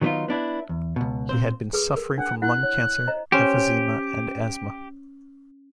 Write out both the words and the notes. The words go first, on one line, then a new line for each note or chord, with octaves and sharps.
He had been suffering from lung cancer, emphysema and asthma.
D#3 F#3 B3 C#4 D#4 F4
B3 D4 E4
E2
C#2 B2
A#2 C4 C5
G#4 B4 D#6
A#4
D4 F#5
E4 F#5 F#6
C#5
C5 D#5 A#5
C#4 G4 C5